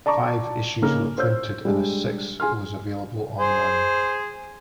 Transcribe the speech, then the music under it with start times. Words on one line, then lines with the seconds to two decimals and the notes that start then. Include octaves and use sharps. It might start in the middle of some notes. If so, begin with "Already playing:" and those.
Five issues were printed, and a sixth was available online.
0.06 D5 A5 A#5 C#6 D6
0.82 C#3 A#3 D#4 A#5 F6
1.18 C5 C#5 E6 G6
1.65 G3 G#3 D4
2.40 G#4 G#5 C6 F6
3.38 G#4 C5